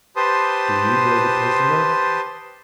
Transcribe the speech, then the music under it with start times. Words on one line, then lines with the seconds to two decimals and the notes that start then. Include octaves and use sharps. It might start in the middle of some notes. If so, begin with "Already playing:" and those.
"Do you know the prisoner?"
0.16 G4 B4 C5 A5 C6 D#6